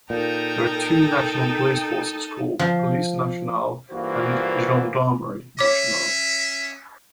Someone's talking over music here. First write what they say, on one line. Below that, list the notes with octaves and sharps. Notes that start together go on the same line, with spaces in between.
There are two national police forces called "Police nationale" and "Gendarmerie nationale".
A#2 D#4 A4 A#4 G5
F3
G2 E3 A#3 F4 F#4 C5
C#4 C#5 E5 D6